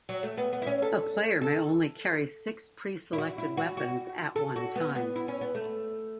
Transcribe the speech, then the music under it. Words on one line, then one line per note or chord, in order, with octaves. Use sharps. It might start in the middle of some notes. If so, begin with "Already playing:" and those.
A player may only carry six pre-selected weapons at one time.
F#3
A3
B3
B3
E4
C#4
A4
A4
E4
F#4
E4
F#4
F#4
A4
F#4
B3
B3
E4
C#4
B3
A3